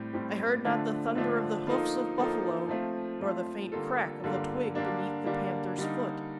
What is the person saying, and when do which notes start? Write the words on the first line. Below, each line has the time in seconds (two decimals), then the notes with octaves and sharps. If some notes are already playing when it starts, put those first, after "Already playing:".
I heard not the thunder of the hoofs of buffalo, nor the faint crack of the twig beneath the panther's foot.
Already playing: A2 G3 C4 G4
0.13 A2 G3 C4 G4
0.65 D3 F3 A3 D4
1.15 D3 F3 A3 D4
1.67 F3 A#3 D#4 A4
2.18 F3 A#3 D#4 A4
2.69 F3 A3 C4 F4
3.21 F3 A3 C4 F4
3.72 D3 G3 A#3 F4 A4
4.24 D3 G3 A#3 F4 A4
4.75 D3 G3 A#3 D4
5.26 D3 G3 A#3 D4
5.78 D3 G3 A#3 D#4